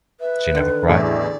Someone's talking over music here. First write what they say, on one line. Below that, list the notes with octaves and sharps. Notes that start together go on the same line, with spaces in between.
She never cried.
B4 E5
D3 D#3
A1 E2 D5 E5